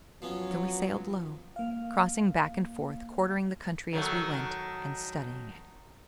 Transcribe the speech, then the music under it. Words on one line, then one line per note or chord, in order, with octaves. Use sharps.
So we sailed low, crossing back and forth, quartering the country as we went, and studying it.
F3 F#3 B3 C#4
A#3 F5
D#3 F#3 A3